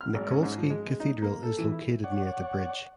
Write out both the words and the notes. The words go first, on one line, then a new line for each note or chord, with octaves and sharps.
Nikolsky Cathedral is located near the bridge.
F6
G#1
C#4
G#2
F3
G#3
G#3
D#4
A#3
A4
E3
E4
C#5 D5 F#5